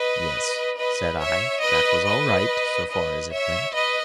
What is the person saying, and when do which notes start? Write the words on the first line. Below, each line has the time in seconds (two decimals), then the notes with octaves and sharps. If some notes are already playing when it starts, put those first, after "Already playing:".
'Yes,' said I, 'that was all right, so far as it went.'
Already playing: B4 D#5
0.78 B4 D#5
1.20 C#5 E5
1.62 B4 D#5
2.05 B4 D#5
2.89 B4 D#5
3.32 C#5 E5
3.74 B4 D#5